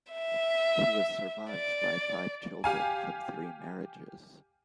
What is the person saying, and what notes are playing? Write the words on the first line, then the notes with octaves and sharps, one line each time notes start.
He was survived by five children from three marriages.
E5
D5
G4 F5 G#5